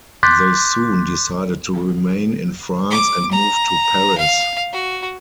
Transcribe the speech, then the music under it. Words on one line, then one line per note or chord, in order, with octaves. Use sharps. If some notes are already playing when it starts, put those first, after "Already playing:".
They soon decided to remain in France and moved to Paris.
C6 D6 F#6 G6 A6 B6
D6
A#5
F5
F#4